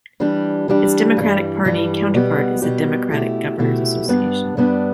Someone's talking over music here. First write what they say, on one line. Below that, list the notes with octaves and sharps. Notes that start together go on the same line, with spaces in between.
Its Democratic Party counterpart is the Democratic Governors Association.
E3 G3 D4 G4
E3 G3 D4 G4
G2 E3 G3
G2 E3 G3
B2 G3 B3 G4
B2 G3 B3 G4
B2 A3 E4 G4
B2 A3 E4 G4
G2 G3 B3 D4
G2 G3 B3 D4